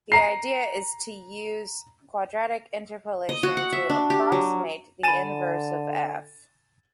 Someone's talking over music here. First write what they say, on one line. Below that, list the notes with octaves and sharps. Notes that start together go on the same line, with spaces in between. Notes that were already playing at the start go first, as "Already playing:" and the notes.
The idea is to use quadratic interpolation to approximate the inverse of "f".
A#5 C7
D#5
F#4
F#5
E5
D4
G4
F#3
D3 G#5 B5 A6 D#7 E7